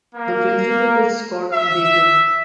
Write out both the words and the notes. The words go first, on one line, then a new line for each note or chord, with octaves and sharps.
The principal is Scott Bacon.
A#3
E5